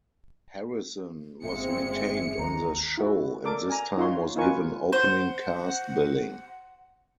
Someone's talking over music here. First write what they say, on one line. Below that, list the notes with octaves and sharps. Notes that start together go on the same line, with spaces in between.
Harrison was retained on the show and this time was given opening cast billing.
G1 D2 A#2 C#3 G#3 C4 E5 C#7
D#2 A#5
E4 F#4
A4 A#4 D5 D6
G#5 A#5
D#4 F4 C#5 C6
D#4 F4 A#4 B4 G#5 C#6
C5 F#5